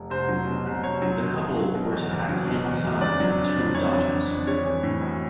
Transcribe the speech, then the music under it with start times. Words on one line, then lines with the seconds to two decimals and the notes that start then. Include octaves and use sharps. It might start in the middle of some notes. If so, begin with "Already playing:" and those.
The couple were to have ten sons and two daughters.
Already playing: F1
0.10 C2 C5
0.28 F#3
0.47 B2
0.66 C2
0.83 C2 C#5
1.02 F#3
1.20 B2
1.38 C2
1.56 F#3
1.75 B2
1.92 E2
2.10 F#1
2.29 F#3
2.47 B2
2.65 E2
2.84 F#1
3.01 F2 D5
3.20 F#3
3.38 D3
3.56 F2
3.74 F2 C#5
3.93 F#3
4.11 D3
4.29 F2
4.47 G3 C#5
4.65 E3
4.83 A2
5.01 B1